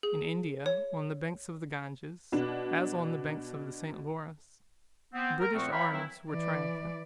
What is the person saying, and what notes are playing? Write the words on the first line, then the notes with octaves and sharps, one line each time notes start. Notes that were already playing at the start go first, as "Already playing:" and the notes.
In India, on the banks of the Ganges, as on the banks of the St. Lawrence, British arms were triumphant.
G#4
C#5
B2 D4
B3 C4
A#4
A#2 F3 A3 C4 F#4 C#6
C#5 E5 F5 G5 A#5 B5
D#3 E3 F#3 C4 E4
E3 D5